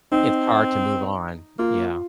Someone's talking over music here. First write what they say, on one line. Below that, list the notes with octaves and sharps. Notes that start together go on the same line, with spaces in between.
It's hard to move on, yeah.
C4 D#4
A#3 F4